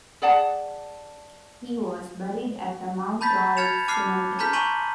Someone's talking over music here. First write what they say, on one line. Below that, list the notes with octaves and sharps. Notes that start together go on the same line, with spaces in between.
He was buried at the Mount Royal Cemetery.
G#4 D5 F#5 A5
A5 B5 G6 A6 B6
F6 G#6 A6 C#7 E7 F7
A5 D6 F6 F#6 C7
A5 A#5 C6 F6 G6 B6
G#5 A#5 C#6 D#7 F#7